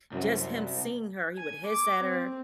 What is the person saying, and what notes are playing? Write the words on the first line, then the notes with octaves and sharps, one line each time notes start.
Just him seeing her, he would hiss at her,
C2 F#2
G#5
D6
C4